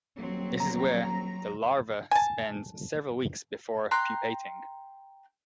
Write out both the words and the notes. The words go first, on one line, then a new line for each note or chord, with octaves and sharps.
This is where the larva spends several weeks before pupating.
D#1 F#3 C4
A#5 A#6
G#5 A5
G5 A#5 C6 F#6